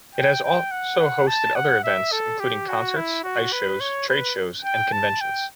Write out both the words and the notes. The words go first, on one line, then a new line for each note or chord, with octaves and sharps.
It has also hosted other events, including concerts, ice shows, trade shows, and conventions.
G5
G5
F#5
F#5
A5
F#5
E5
A4
G4
F#4
E4
F#4
B4
C#5
B4
G5
A5
G5